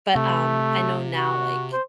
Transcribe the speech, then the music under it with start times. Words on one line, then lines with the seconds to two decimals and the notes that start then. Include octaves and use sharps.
but, um, I know now, like
0.15 C3 A3
1.15 F#4
1.73 C5